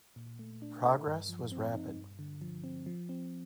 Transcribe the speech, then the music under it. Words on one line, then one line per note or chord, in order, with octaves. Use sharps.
Progress was rapid.
A#2
A3
D4
A4
G2
F3
C4
D#4
G2
D3
F3
C4
F3
C4